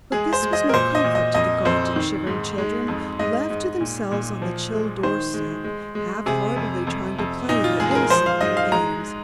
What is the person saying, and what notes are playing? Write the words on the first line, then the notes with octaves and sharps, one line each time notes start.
But this was no comfort to the gaunt and shivering children left to themselves on the chill door-steps, half-heartedly trying to play their innocent little games.
G#3 G#4
C5
G#3
D#5
A#4
A#2 C5
D#5
A#2
D#5
F2 D#5
F2 C5
D#3
G#2
G#3
F2
G#2 D#5
G#2
A#2
A#2
F3
G#3
D#3 C5
G#3
G#3
G#3
C3 G#4
F2
F2
F2
A#2 D#4
F4
G#3 G#4
G#4
A#4
F3 C5
F5
G#2 D#5
F5
G#3 A#5